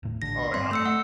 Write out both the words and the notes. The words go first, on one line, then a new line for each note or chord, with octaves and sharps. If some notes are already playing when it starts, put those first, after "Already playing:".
Oh, yeah.
D#1 A2
A1 D3 D4 A#6
G2 G3 C4 C6
A3 E6 C#7
A3 F#5